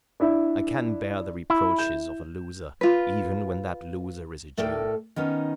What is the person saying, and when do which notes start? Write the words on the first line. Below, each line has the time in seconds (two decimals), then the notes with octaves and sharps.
I can bear the reproaches of a loser, even when that loser is a Jew.
0.20 D4 E4 E5
1.50 E4
1.79 G6 E7
2.81 F4 B4
4.57 A2 A3 A4 A#4 D5 G5
5.16 D#3 B3 C#4 D#4